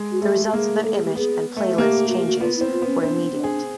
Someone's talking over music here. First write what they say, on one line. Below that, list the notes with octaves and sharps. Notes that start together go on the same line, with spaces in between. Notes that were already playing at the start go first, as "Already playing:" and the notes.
The results of the image and playlist changes were immediate.
Already playing: G#3
F#4
A3 G#4
G4
G4
A#3 G#4
A4
G#4
G4
B3 G#4
A3
F#4
A#3 G4
F#4
G4
F#4
B3 F4
C4 E4
F4
B3 C#4
C4 D4
D4
G#4